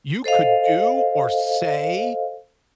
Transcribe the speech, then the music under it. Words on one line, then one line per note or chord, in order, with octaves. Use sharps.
You could do or say
A4 C5 D#5 F5